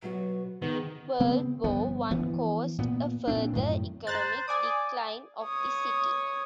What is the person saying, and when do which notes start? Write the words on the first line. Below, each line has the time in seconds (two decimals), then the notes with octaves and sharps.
World War One caused a further economic decline of the city.
0.02 B2 F#3 B3 F#4
0.62 D#3 B3 G#4
1.20 C#3 B3 C4
1.64 G1 F3 B3
2.11 E3 F3 B3
2.78 A#2 B3
3.28 A#2 C4 D4
3.53 F#2 A2 D#3
4.07 C5 A#5 F#6 A6
4.48 D5 G#5 D6 D#6
5.44 C#5 D#6